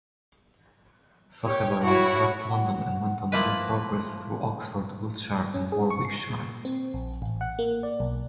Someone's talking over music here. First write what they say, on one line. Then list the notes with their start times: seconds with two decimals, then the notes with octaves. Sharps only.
Sacheverell left London and went on a new Progress through Oxford, Wiltshire and Warwickshire.
1.44 G4 C#5
1.84 E4 F#4 C#5
2.49 F#5
3.32 F3 A#3 E4 B4
5.54 C#4
5.72 G#4
5.90 C#6
6.05 C7
6.30 A#2
6.65 C4
6.94 A#1
7.22 A1
7.41 F#5
7.59 A#3
7.83 D5
8.00 B1